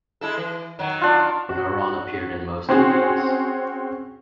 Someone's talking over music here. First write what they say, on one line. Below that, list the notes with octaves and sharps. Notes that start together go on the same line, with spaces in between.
Neron appeared in most of these.
G#3 E4 A4
E3
D#3 F#3
D4 F4
F#4
C4 C#4 F#4 G#4